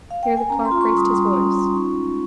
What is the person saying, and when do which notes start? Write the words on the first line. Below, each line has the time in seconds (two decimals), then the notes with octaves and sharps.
Here the Clerk raised his voice.
0.11 F5
0.23 G5
0.37 G#5
0.49 C#4 A#5
0.65 C6
0.71 F4
0.81 C#6
0.92 G3
0.97 D#6
1.13 G3
1.33 C#4
1.54 F4
1.75 D#4 C#6
1.96 G#3